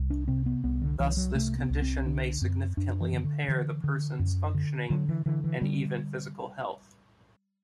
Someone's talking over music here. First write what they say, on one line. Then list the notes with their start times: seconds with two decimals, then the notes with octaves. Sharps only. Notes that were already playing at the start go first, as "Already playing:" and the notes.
Thus, this condition may significantly impair the person's functioning and even physical health.
Already playing: C2
0.10 D4
0.28 C3 C4
0.46 B3
0.64 C2 B3
0.82 D3
1.00 C2 E3
1.17 F#3
1.35 C3 A3
1.59 B3
1.70 C2
1.82 C4
2.06 D3 D4
2.41 F#2 C4
2.77 F#2 D4
3.01 E3
3.13 D3
3.24 D3
3.48 D3 E3
3.84 D3
4.19 F#2
4.55 D3
4.90 D3 F#3
5.09 E3
5.26 D3 E3
5.44 E3
5.61 D3 G3